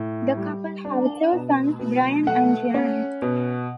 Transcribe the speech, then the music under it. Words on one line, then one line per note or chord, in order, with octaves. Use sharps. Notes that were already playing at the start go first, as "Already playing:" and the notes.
The couple have two sons, Brian and Gian.
Already playing: A2
G3
D4
B2
B2
A3 F#5
C#4
B2